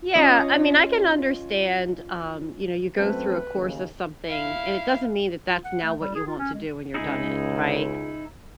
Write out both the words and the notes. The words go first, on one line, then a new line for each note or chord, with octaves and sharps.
Yeah, I mean, I can understand, um, you know, you go through a course of something, and it doesn't mean that that's now what you want to do when you're done it, right?
C#4 F4 D#5
F#2 A3 C4 B4
D#2 C#3
E4 F5
F4
F#5
A3
G3
G#4
F4
C#4
G#3
C#2 D#4 E4 G#4